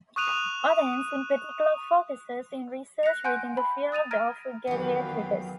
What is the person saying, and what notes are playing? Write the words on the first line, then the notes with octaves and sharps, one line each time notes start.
Odense in particular focuses on research within the field of geriatrics.
C#6 D#6 F#6 D#7 F7
F#6 A#6 C7 C#7 F7
F#5 G#5 C6 F#6 G6 D7
B5
D#6 A6 D#7 F7
A#5 F6 G#6 A#6 D7 D#7
F2 D#3 E3 F#3 B3 G4 F5 G5